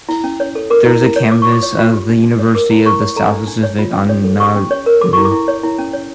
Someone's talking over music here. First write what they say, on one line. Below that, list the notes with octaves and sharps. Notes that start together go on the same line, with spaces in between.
There is a campus of the University of the South Pacific on Nauru.
E4
C#4
C#5
A4
A#4 D6
E4
E4
C#5
C#5 D6
F4 C#6
D6
C#5
F4
G4
D4
D4
C#5
A#4 D6
E4
E4 C#6
C#5
A4 A#5
D4
D4
C#5
F4
C#4
C#5
A4
G4 C#6
C#4
C#5
A#4
A4 D6
E4 C#6
D6
E4
C#5
E4
C#4
C#5